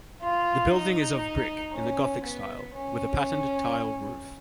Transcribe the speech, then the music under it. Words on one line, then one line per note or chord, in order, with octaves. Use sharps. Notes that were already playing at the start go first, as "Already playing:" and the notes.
The building is of brick, in the gothic style, with a patterned tiled roof.
F4
D#4
C#4
B3
C#4